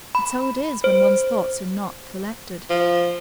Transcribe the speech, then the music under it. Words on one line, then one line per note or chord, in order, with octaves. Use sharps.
But so it is when one's thoughts are not collected.
B5
C5
F3